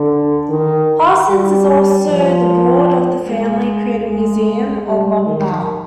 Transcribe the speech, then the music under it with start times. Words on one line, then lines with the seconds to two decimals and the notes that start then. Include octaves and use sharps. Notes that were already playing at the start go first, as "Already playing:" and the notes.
Parsons is also on the board of the family created Museum of Modern Art.
Already playing: D3
0.50 D#3
1.29 G3
2.08 F3
3.27 G#3
4.07 G#3
4.87 G3
5.26 D#3